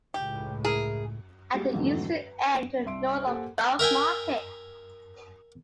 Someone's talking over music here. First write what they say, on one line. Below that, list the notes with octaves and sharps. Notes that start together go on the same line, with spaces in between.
At the eastern end to the north is Borough Market.
C#2 A2 G4
E4 G#4 A#4
G3 G#3 A#3 F#4 G4
F2 G#2 D3 E3 F#3 A3
B4
C2 E5 C6 D7
A#3 G4 A4 C5 F#5 G#5
A#4 E5 G5 G#5